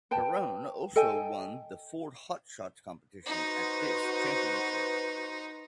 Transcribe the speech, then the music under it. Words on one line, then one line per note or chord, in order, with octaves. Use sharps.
Perron also won the Ford Hot Shots competition at this championship.
B4 G5 A5
A4 D#5 G5 G#5
D#4 F#4 B4 C5